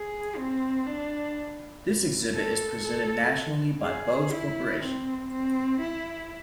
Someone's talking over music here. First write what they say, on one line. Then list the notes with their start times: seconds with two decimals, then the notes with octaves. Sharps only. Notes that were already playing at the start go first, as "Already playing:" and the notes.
This exhibit is presented nationally by Bose Corporation.
Already playing: G#4
0.37 C4
0.86 D4
2.35 A4
2.84 A4
3.82 G#4
4.32 E4
4.82 C4
5.30 C4
5.80 E4